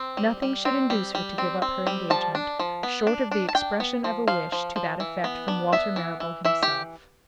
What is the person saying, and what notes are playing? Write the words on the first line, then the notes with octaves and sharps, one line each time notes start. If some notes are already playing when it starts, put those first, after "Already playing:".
Nothing should induce her to give up her engagement,--short of the expression of a wish to that effect from Walter Marrable himself.
Already playing: C4
G3
G3
C4
G3
G3
C4
C4
G3
F3 A5
D4
F3
B3
D4
D4
A5
D4 G5
B3
F3
F3 F5
F3
F3
E3
B3
D4
B3 E5
E3
E3
E3 E5
G4